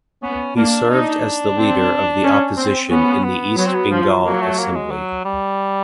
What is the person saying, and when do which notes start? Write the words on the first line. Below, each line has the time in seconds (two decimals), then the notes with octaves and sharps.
He served as the leader of the opposition in the East Bengal Assembly.
0.22 B3 C#4
0.56 A#3 D4
0.90 D4 D#4
1.57 C4
2.24 C#4
2.57 C4
2.90 B3 C#4
3.24 B3
3.58 F#3 B3
3.66 C4
3.74 B3
3.91 F3
4.24 F#3 A#3
4.41 A3
4.58 A#3
4.75 G#3
4.91 F#3
5.25 G3